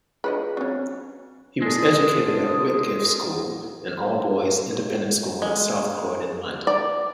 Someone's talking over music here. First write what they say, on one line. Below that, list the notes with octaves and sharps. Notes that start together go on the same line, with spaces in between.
He was educated at Whitgift School, an all-boys independent school in South Croydon, London.
D4 F4 G#4 B4 C5 D#5
F#3 C4 C#4
G#3 D4 F4 A4 A#4 D#6
G#3
D5